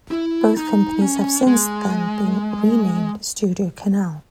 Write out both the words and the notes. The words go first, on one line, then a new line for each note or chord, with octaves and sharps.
Both companies have since then been renamed StudioCanal.
E4
D#4
C#4
G#3